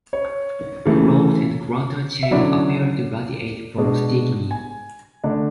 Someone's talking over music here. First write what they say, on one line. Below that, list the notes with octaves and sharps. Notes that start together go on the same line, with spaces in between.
Grooves and crater chains appear to radiate from Stickney.
C#5
C#3 E3 A3
E5
D3 F#3 C#4 E4 D5
B2 G#3 D4
G#5
D3 A3 D4